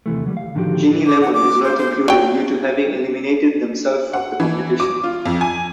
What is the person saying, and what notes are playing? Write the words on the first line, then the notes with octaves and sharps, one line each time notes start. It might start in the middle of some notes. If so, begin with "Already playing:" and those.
Ginny Lemon was not included due to having eliminated themself from the competition.
D#2 C3 E3 A3
C#2 F#3 G3
F5
A2 D3 D#3 F3 F#4 G4
D6
F#5
D6
C5
C5
F#3 G5
F#5
E3
D6
F4
F2
G#5